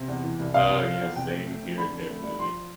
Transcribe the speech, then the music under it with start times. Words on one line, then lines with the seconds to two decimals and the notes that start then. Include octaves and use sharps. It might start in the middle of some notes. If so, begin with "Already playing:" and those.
Oh, yeah, same here, definitely.
Already playing: C3
0.08 E2
0.24 E3
0.40 C2
0.54 C3 F5
0.70 C2
0.85 F3
1.01 E2
1.16 C3 G5
1.32 A3
1.47 A3
1.62 F2
1.77 D3 B5
1.93 F2
2.09 A3
2.24 G2
2.39 F3 C6